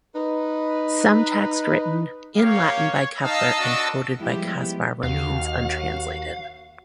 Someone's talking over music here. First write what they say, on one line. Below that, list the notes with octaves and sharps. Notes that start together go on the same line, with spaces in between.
Some text written in Latin by Kepler and quoted by Caspar remains untranslated.
D#4 B4
A#3 G4 C#5 F5
D#4 D#5 F5 A5 E6
D4 F#4
F3 G3 G#3 B3 E4 G4
D#2 F#4 F5